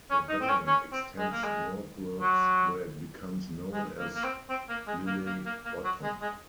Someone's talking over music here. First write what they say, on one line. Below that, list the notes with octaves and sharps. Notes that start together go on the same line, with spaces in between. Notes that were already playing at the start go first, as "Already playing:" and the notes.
The valley extends northwards where it becomes known as Lilley Bottom.
C#4
D#4
C4
C#4
C#4
C4
G#3
A#3
G#3
F#3
G#3
A#3
A#3
C4
C4
A#3
G#3
A#3
A#3
A#3
A#3
F#3
G#3
G#3